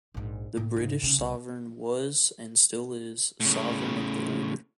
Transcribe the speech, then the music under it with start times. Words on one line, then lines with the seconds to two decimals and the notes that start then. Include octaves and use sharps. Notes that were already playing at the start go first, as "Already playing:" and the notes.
The British Sovereign was, and still is, Sovereign of the Order.
0.14 A#1 G#2
0.57 A2 E4
0.76 G#2 C#3
1.02 B1 C#3
1.19 C2
3.40 A2 C#3